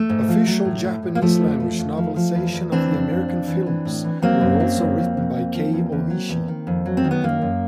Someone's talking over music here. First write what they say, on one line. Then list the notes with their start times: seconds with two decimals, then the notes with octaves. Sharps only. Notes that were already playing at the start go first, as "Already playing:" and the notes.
Official Japanese-language novelizations of the American films were also written by Kei Ohishi.
Already playing: A3
0.10 G#2
0.28 F3
0.47 F#3
0.65 A2
0.84 A2
1.03 A2
1.15 A#3
1.22 F3 A3
1.41 F2
1.60 F3
1.79 F2
1.97 F3
2.16 F3
2.35 E2
2.53 E2
2.72 E3 C4 D4
2.91 F2
3.11 F2
3.28 F2
3.47 E3
3.66 E3
3.85 A2
4.04 E3
4.22 F#3 A#3 C4
4.41 F#2
4.60 F#3
4.79 F#2
4.98 F2
5.17 F2
5.36 F2
5.54 F3
5.73 E2
5.92 E2
6.10 F#3
6.29 E2
6.48 D#3
6.67 F2
6.86 F#3
6.97 C4
7.04 D#3
7.11 B3
7.23 F#2 A#3
7.42 F#2